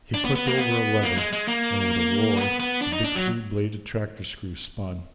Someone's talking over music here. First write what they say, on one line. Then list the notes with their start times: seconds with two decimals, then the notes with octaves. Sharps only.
He clicked over a lever and with a roar the big three-bladed tractor screw spun.
0.14 D4
0.25 B3
0.36 B3
0.47 A#3
0.58 B3
1.04 A#3
1.18 G#3
1.33 G#3
1.48 A#3
2.37 B3
2.60 B3
2.82 D4
2.93 D#4
3.04 D4
3.15 F#3